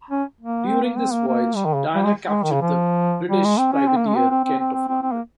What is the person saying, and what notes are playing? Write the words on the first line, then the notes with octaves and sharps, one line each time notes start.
During this voyage "Diana" captured the British privateer "Kent" of London.
C#4
A#3
C4
A#3
C4
A#3
A#3
G3
D#3
C#3
G3
G#3
G#3
D#3
C#3
F3
G3
G#3
C4
C#4
C4
A#3
G#3
C4
C4
C4
C4
C4
C4
C4
A#3